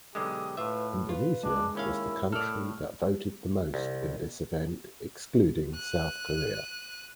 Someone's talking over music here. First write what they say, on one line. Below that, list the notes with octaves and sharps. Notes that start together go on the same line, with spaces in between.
Indonesia was the country that voted the most in this event excluding South Korea.
B1 D3 G#3 G4 D#6
A2 F4 B4 E5
F4 B4
G#3 D4
D#2 C#4 E4 A#4 F5
A2 A4 D5 F6 F7
C2
F#6 D#7